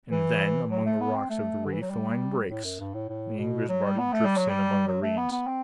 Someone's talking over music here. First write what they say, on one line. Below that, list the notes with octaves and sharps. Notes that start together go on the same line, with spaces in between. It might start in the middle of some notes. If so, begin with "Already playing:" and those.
And then, among the rocks of the reef, the line breaks; the angler's body drifts in among the reeds.
E3
F#3
A3
B3
C4
A3
D3
E3
F#3
G3
A2
F#2
G2
A2
A2
B2
F#3
G3
B3
A3
G3
F#3
G3
F#3
A3
B3
B3
C4